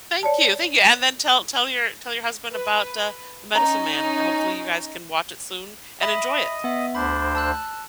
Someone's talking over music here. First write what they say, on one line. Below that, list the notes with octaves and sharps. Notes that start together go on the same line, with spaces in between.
Thank you, thank you. And then tell tell your tell your husband about, uh, The Medicine Man. Hopefully, you guys can watch it soon and enjoy it.
C#5 D5 A5
B4
C#4 D#4 A#5
D#5 E5 B5
B3 E5
D2 D4 C5 B5
A5 E6 F#6